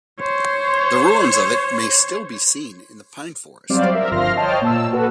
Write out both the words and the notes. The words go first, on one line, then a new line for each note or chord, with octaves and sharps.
The ruins of it may still be seen in the pine-forest.
C5 C#5
F#3 G3 C4 C5 D5 F5
A#4 E5
G1 F3 F5 C6 F6 A#6
C5 C#5 D#5 G5 A5 F6
A#2 A5 E6
F#4 A4 B4